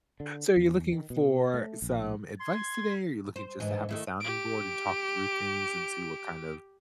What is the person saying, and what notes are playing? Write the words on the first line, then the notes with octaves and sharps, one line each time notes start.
so are you looking for some advice today, or you're looking just to have a sounding board and talk through things, and see what, kind of,
D3
E2
D#3
B2
A3
A#1
C6 G#6
C5
G#2 D3 E3
D#3 A3 E4
G4 D7